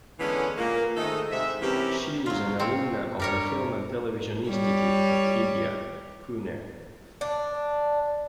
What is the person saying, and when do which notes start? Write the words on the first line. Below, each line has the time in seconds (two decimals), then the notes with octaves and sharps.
She was an alumna of the Film and Television Institute of India, Pune.
0.19 D3 E3 G#3 B3 C#4
0.58 A#2 A#3
0.97 G#2 D#3 A3 A4 D#5
1.31 G#2 C3 E5
1.61 C3 E3 B3 C#4 G4 A#4
2.26 F#3 F4
2.60 C4 C#5
3.20 G2 G3 A#4 C#5
4.49 G3 C#5
7.21 D4